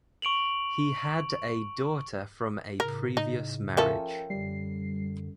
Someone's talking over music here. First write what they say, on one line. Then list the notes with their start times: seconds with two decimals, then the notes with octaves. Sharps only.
He had a daughter from a previous marriage.
0.22 C#6 D7 F7 F#7
2.80 A2 C#3 A#4
3.17 D#4
3.77 F3 C#4 A4 A#4 E5 G5
4.30 F#2 D3 G3 C7